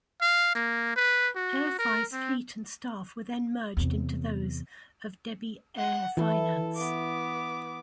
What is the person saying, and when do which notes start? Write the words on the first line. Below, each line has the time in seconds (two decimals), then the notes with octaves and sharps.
AerFi's fleet and staff were then merged into those of debis AirFinance.
0.21 F5
0.55 A#3
0.96 B4
1.36 F#4
1.79 A#4
2.12 C4
3.77 E2 C3
5.77 F#5
6.17 E3 E4 A4
6.76 B3 D6